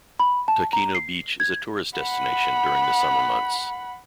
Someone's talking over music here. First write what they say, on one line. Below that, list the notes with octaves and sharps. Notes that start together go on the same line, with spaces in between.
Takeno beach is a tourist destination during the summer months.
B5
A5
A#5
C7
G#6
F#5 B5